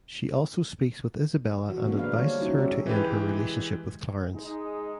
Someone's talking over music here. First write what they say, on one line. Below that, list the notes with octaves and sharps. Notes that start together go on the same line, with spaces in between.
She also speaks with Isabella and advises her to end her relationship with Clarence.
E3 F#4
D3 F3 G#3 A#3 B3 D4
B4 F5
G3 C#5
F#3 G3 C#4 D#4 E4 F#4
G#3 C#4 G4 E5
E3 G#3 G4 B4
G#3 D#4